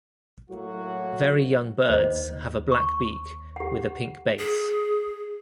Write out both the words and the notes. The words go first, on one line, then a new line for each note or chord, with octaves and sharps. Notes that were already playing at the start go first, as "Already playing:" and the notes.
Very young birds have a black beak with a pink base.
A2 F#3 A#3 F#4
D#2 C5 D#5
C#6
G4 F#5
G#4